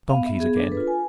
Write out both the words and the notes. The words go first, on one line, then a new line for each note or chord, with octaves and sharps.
Donkeys again.
B3 F5
E5
B3 G#4
D4
A4
B4
F4
G#5